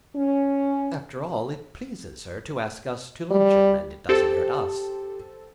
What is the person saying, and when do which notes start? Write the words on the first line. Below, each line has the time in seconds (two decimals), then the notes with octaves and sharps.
After all, it pleases her to ask us to luncheon, and it doesn't hurt us.
0.16 C#4
3.31 G3
4.09 C4 G4 A4